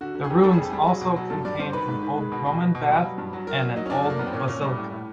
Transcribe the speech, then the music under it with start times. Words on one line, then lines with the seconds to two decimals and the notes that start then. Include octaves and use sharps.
The ruins also contain an old Roman bath and an old basilica.
0.01 D3 F#4
0.15 D3
0.24 G#4
0.30 F2 G4
0.43 G3 A4
0.53 G#4
0.58 F2 G4
0.70 G3 G#4
0.87 F#3
1.01 B2
1.16 F#3
1.30 G2 A4
1.45 G2 D5
1.60 G2 C5
1.73 D#3 B4
1.88 G#2
2.03 D#3
2.18 G#3
2.32 B2
2.46 B2
2.60 B2
2.75 B2
2.89 G3
3.04 F#3
3.18 G2
3.33 F#3
3.47 F#3 A#4
3.62 F#3
3.76 F#3 D#4
3.86 C#4
3.90 F#2 D4
4.02 F#2 A3
4.10 A#3
4.19 F#2 B3
4.26 C4
4.33 A#2 C#4
4.48 A#2 C#4
4.63 G3
4.77 A2
4.92 A2